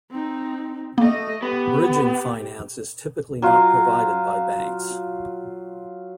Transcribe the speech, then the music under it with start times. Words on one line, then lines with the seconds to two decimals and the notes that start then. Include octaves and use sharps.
Bridging finance is typically not provided by banks.
0.11 C4 D#4
0.98 A3 A#3 D#5
1.42 B3 G4
3.42 F#3 F4